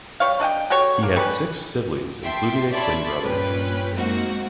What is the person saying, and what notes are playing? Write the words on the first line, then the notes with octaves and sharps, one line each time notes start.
He had six siblings, including a twin brother.
G3 C#5 F5
D4 D#5 F#5 G5
F#4 G4 A4 C#5
A#3
G3 C#4 B4
E5 G5 A5 C6
C#5 D5 E5 A5 B5 C6
G2 A#2 C#4 B4 G5
F#2 G#3 A#3 C4 D#4 F#4